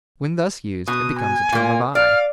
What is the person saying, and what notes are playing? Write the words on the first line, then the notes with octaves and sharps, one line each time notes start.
When thus used it becomes a term of eye.
B2 D#6
G#5
A#2 A#3
D5 F5 F6